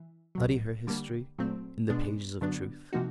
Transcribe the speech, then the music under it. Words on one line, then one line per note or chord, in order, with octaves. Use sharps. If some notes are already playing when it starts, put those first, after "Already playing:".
Study her history in the pages of truth.
Already playing: E3
C2 B2 F#3
D3 G3 A#3
A#2 F#3 A3 C4
B2 G#3 B3 D4
G2 D3 F#3 B3 D4
C3 F3 A#3 D#4 F#4